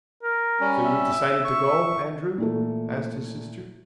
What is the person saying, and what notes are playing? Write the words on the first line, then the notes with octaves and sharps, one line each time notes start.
"So you've decided to go, Andrew?" asked his sister.
A#4
G3 C#4
E5
C#6
A#2 E3 A3